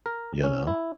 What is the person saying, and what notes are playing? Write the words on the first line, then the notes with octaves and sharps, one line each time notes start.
you know?
A#4
C#4
E4